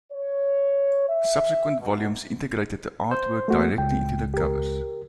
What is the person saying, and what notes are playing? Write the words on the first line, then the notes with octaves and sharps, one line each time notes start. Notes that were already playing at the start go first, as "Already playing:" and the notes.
Subsequent volumes integrated the artwork directly into the covers.
C#5
E5
B2
C5
A3 A#3 F#4
C#2 G5
G4 A#4